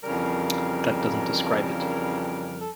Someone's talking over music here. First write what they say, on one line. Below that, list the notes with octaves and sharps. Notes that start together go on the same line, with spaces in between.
That doesn't describe it.
F2 C#3 E3 G3 A#4
A4